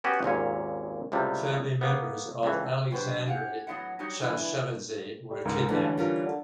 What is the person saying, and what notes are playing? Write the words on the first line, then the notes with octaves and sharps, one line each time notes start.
Family members of Aleksandre Chavchavadze were kidnapped.
B3 C#4 F#4 G4 B4
G#1 D#2 A#2 C#4
C#2 A2 C3 G3
A#3 B3
C#2 E3
D3 F#3 G4 A4 B4 C5
G4 G#4 F5 F#5
A2 F#3 B3 E4 E5 F#5
F#3 G3 D#4 F#4 G4 C#5
G2 D3 E3 E4 G4 B4
G3
C#2 G#2 A#4
E2 D3 E3 G3 A3
C#4
G3 F4 A#4
D3